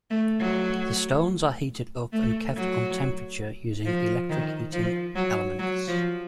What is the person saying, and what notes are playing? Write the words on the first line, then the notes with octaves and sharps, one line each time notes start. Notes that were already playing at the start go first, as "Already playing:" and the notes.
The stones are heated up and kept on temperature using electric heating elements.
A3
F#3
A3
F#3
F3
D#3
F3
F#3
F#3
F3